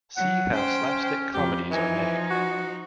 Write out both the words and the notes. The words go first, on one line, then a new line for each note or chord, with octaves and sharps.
See how slapstick comedies are made.
F#3 F#5
C#4 C5 G5
F2 G4
E3 F3 D#4 G#5
F#4